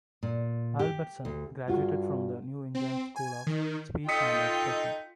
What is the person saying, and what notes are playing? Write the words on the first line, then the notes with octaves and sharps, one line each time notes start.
Albertson graduated from the New England School of Speech and Expression.
A#2
G4
D2
G2 F4 F#4 G#4
C4
G#5
D#3
D#4 F4 A4 D#5 G5 D#6 B6 C#7